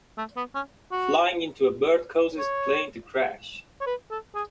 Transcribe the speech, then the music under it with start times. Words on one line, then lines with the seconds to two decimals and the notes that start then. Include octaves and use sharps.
Flying into a bird causes the plane to crash.
0.18 A3
0.37 B3
0.55 C#4
0.92 F#4
2.39 C#5
3.81 C#5
3.87 B4
4.11 A4
4.35 G#4